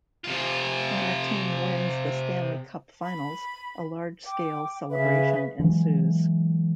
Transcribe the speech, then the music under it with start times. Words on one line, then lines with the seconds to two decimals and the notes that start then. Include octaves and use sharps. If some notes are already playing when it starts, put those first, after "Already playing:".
When a team wins the Stanley Cup Finals, a large-scale celebration ensues.
0.24 C3 F4
3.01 B5
4.26 G5 D6
4.89 C#3 B4 E5 B5
5.59 E3 F#3 G#3